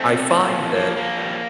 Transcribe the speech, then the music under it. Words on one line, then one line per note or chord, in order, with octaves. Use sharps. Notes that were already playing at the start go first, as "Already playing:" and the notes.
I find that
Already playing: A3 C4
C3
A#2
F3
F3 A#3
F3 A#3
G3